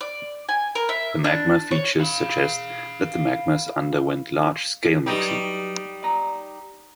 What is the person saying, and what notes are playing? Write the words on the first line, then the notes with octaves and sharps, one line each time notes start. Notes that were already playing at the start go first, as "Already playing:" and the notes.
The magma features suggest that the magmas underwent large scale mixing.
D5
G#5
A#4
E5
D4
C#5
F5 B5
F#3 G3 D#4 G4 B4
D5 A#5